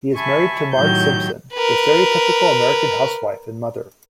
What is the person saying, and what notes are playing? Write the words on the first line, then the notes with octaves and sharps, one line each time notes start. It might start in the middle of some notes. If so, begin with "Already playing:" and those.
He is married to Marge Simpson, a stereotypical American housewife and mother.
E5 G#5 A5 B5 C#6
A2 D#3 F#3 G4 G6
A#4 B4